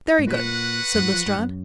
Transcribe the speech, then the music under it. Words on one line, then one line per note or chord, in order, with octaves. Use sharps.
"Very good," said Lestrade.
G#2
A#2 F#4 B4 F#5
F#2
G#2
F3
G#2
F#2